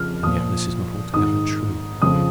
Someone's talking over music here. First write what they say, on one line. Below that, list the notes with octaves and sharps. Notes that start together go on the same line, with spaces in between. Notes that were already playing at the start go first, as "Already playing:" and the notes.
And yet this is not altogether true.
Already playing: F2 C#3 F3 F6
A#2 F3 D#6
G#2 D#3 D#6
F2 C#3 F3 D#6